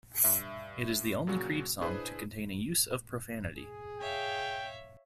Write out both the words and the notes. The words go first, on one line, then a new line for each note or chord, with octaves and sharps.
It is the only Creed song to contain a use of profanity.
G2 E5
A#2 C#3 F#3 F#4
D4 E4 G#4 B4 C5
G#4
C#5 E5 F5 G5